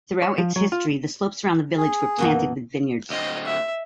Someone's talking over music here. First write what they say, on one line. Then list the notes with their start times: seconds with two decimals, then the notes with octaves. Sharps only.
Throughout its history, the slopes around the village were planted with vineyards.
0.22 C#5
0.38 F3
0.56 F#3
0.72 F4
1.77 G#4
2.18 F#2 B2 E3 A#3
3.10 D2 C4 D#5
3.46 E5